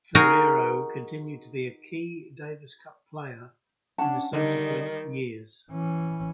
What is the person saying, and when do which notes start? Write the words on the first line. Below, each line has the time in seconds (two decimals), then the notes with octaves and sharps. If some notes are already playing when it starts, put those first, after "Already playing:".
Ferrero continued to be a key Davis Cup player in subsequent years.
0.15 D#4 F#4 G#4 A#4
3.98 C#4 D4 F#5 A5
4.33 D3 D#3 G3 D#4 D#5
5.71 E3 C#4